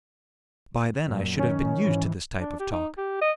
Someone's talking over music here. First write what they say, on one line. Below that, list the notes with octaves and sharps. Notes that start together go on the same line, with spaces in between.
By then I should have been used to this type of talk!
F#2 A#2
D#3 C#4
G#2 E3
D4
G4
D#4
G4
D#5